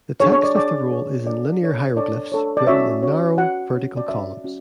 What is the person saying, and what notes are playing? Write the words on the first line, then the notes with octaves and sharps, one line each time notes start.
The text of the roll is in linear hieroglyphs written in narrow, vertical columns.
D4 G#4 C#5
C#5
D5
D4 G#4 C#5 D5
D4 G#4 C#5
D4 A4 C#5 D5
D4 A4 C#5
D4 A4 C#5 D5
D4 A4 C#5
D5
C#4 F#4 C#5 E5
C#4 F#4 C#5
C#4 F#4 C#5 F#5
C#4 F#4 C#5
D5
C#4 F#4 C#5 E5
C#4 F#4